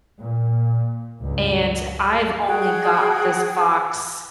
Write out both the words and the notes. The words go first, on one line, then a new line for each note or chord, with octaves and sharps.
and I've only got this fox
A#2
C#2 G2
F#4 G#4 F#5 G5